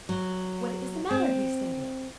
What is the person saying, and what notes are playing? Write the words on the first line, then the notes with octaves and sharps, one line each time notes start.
"What is the matter?" he stammered.
F#3
C4